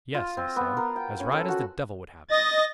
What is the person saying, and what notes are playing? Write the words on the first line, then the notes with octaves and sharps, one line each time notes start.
"Yes," I said, "as right as the devil would have it."
F4
C4
B3
A#4
G5
C#4
A4
F#4
D#5 A6 A#6